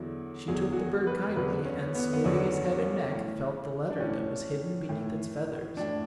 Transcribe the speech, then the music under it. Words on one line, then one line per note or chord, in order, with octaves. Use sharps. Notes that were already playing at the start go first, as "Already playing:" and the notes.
She took the bird kindly, and smoothing his head and neck, felt the letter that was hidden beneath its feathers.
Already playing: E2 D3 F#3 E4
E2 D3 F#3 G#4
F#4
G#4
B4
E2 D3 F#3 B4
C#4
B3
B3
E2 D3 F#3 C#4
C#4
A2
E3
D4
A2 E3 C#4
A2 E3
A2 E3 D4